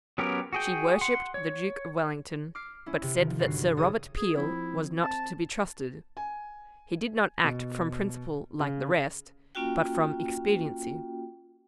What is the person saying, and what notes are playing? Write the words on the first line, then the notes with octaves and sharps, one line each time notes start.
She worshipped the Duke of Wellington, but said that Sir Robert Peel was not to be trusted; he did not act from principle like the rest, but from expediency.
F#3 B3 C#4 G4 A#4
F#4 G#4 G5
F#5 C6
C#5
D6 F6 C7
C#4 E4
C3
D#3 F3
G1 F#4 C7
G#1 A4 C#5 D#6
G#4
F3 C4 E4
C4 A5
G#5
B2
C#3
A#3 C#4 F4 F#4 G5